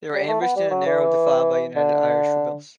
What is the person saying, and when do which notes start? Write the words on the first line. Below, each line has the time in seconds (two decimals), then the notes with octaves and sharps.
They were ambushed in a narrow defile by United Irish rebels.
0.14 G3
0.28 A3
0.42 B3
0.56 G3
0.71 F#3
0.86 E3
1.76 D3